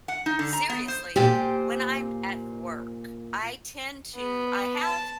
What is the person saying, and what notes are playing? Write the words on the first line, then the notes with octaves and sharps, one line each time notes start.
seriously, when I'm at work. I tend to I have
F#5
D#4
D3
A#5
B3
C5
A#2 G4 C5 G#5
B3
A5